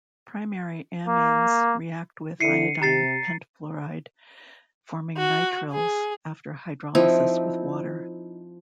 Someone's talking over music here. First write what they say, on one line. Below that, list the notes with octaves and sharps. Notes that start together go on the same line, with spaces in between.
Primary amines react with iodine pentafluoride forming nitriles after hydrolysis with water.
A#3
D3 E4 C7 C#7 D#7
C3 G4 A#5 A6 C7
F#4
G#4
F3 C4 D#4 E4